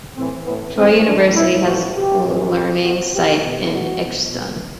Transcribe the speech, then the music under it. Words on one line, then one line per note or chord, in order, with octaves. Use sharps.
Troy University has a learning site in Exton.
A2 E3 C4
A2 E3 B3
A2 E3 C4
A2 E3 D4
B2 E4
A2 E3 F#4
B2 G4
A2 E3
B2
B2 F#4
B2 G4
B2
B2 F#4
B2
B2